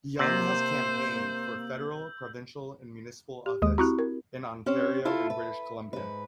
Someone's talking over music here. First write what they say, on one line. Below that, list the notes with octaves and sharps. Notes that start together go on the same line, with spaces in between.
Young has campaigned for federal, provincial and municipal office in Ontario and British Columbia.
C3 A#3 C5 E6 G6
G4
D#2 G#3 D#6
C4 E4 F#4 G4 A#5 C#6 F#6
A#4
C4 C#4 G4
E4 F4 A4
B4
G#2 B4